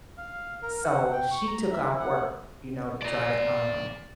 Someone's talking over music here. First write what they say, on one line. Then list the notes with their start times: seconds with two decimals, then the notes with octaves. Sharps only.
So she took off work, you know, to try to, um,
0.18 F5
0.63 A#4
0.84 F#5
1.12 G5
1.31 C#6
1.47 A#5
1.71 E5
1.84 E4
1.99 F#5
3.02 D5 A#5